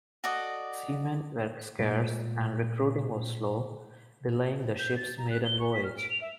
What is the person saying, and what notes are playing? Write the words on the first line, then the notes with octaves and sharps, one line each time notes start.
Seamen were scarce and recruiting was slow, delaying the ship's maiden voyage.
F#4 A4 D5 D#5
A#2 G#3 A3
G6
A6
A#5
F#6
G7
C#6
B6
F6
D7
F7
E5